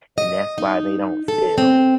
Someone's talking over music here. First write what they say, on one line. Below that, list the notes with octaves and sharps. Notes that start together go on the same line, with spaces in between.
and that's why they don't sell
D#5
D#4
A4
C4